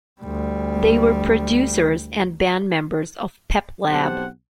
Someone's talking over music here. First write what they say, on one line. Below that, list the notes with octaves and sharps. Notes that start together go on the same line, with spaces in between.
They were producers and band members of Peplab.
D2 G3
B1 C4 G4 C5 F#5 A5